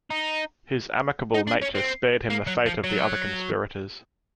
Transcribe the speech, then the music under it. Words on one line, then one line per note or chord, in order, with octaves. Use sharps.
His amicable nature spared him the fate of the other conspirators.
D#4
D#4
D4
C#4
C4
A#3
F#3
F3
F#3